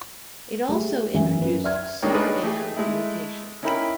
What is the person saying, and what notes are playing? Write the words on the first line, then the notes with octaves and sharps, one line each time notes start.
It also introduced sargam notation.
A3 G4 G#4
F#2 E3 E5 G#5
F#2 B4
D5 E5 F6 G#6
C#2 D#3 A#3 D4 D#4 C#5
D4 D#4 G#4 B4 C#5 D#5
A3 D#4 G4 G#4
G#3 A3 E4
C#4 D#4 E4 A#4 G5 B5